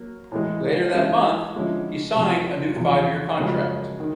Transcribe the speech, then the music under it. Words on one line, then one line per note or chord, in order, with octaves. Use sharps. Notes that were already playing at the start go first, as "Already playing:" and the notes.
Later that month, he signed a new five-year contract.
Already playing: F#3 A#3
A2 E3 G#3
G2 E3 G#3 C#4 E4
D3 F3 G#3 C#4 E4
F2 C3 F3
E2 C3 F3
F#2 C#3 F3 G#3
D#3